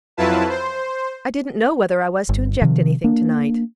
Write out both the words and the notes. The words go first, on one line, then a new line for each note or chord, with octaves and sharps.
I didn't know whether I was to inject anything to-night.
F2 F#3 E4 F4 B4 A5
C5
G1
C3 D#3 F3
A#3 D4